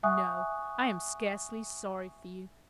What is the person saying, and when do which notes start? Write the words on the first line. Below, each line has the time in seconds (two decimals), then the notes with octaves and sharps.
No; I am scarcely sorry for you.
0.03 E5 F#5 G#5 C#6 D#6 F#6